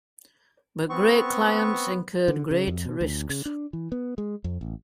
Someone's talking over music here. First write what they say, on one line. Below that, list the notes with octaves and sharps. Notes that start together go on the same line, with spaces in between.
But great clients incurred great risks.
B3 C4 C#6
D3
C#3
F2
B2
D2
C#3
D4
E3
B3
G#3
F2
A1